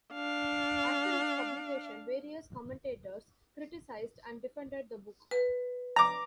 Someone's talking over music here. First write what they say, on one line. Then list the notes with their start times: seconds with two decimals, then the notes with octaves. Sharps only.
After its publication, various commentators criticized and defended the book.
0.14 D4 F5
5.31 B4
5.96 A#5 D6